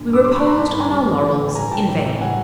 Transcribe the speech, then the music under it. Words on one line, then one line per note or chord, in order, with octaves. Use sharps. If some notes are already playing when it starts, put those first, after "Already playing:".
We reposed on our laurels--in vain.
Already playing: A#2 D3
G2
D6 E6
G3 C6 D6
B5 C#6
G2
A#5 C6
D3 A5 B5
G2
G#5 A#5
G3
G2
E3
A2
G3 G#5 A#5
A2 G5 A5
E3
A2
G3 F#5 G#5